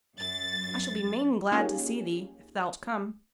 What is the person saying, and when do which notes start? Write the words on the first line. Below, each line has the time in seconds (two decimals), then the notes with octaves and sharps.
I shall be main glad to see thee; if thou'lt come.
0.16 F#2 A6
1.52 A#3 C#4 D#4 F4 G4 G#4